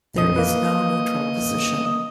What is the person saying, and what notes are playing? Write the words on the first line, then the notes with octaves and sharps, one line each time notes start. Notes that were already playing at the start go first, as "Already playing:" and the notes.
There is no neutral position.
A#1 F2 D#5
A#3 B4